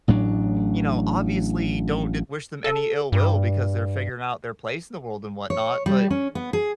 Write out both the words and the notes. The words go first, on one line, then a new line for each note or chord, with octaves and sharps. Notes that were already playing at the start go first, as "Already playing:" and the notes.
you know, obviously don't d wish them any ill will because they're figuring out their place in the world and whatnot, but
A1 A2 F#3 D4
A4
G2
C#5
G3
C#4
B3
G#4